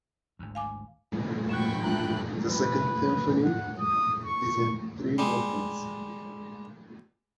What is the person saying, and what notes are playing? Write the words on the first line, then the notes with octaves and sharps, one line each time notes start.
The Second Symphony is in three movements.
G#1 D2
F5 G#5 D6
A2 G#3 F#4 G5 B5 C#6 F#6 E7
A3 D4 F4 A#5 F#6
B4
F#5
D#6
C#6
G3 G#3